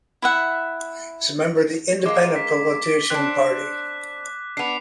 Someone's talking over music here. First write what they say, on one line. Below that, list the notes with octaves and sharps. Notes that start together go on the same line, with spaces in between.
He is member of the Independent politician party.
E4 E5 F#5
G#3 A#3 D6
B6
C4 D4 F#6
B3 D4 C7 F7